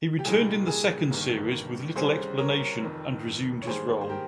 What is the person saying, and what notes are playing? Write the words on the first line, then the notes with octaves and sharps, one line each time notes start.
He returned in the second series with little explanation and resumed his role.
G4
C2 A#2 G3 A#3 D#4 G#4
G#4
G1 G2 D#3 A#3
C2 C3 G3 C#4 G#4 C5
A#4 C#5
F1 F2 D#3
C#5
G#2 D#3 G3 A#3 G#4 C5
C5
G4 A#4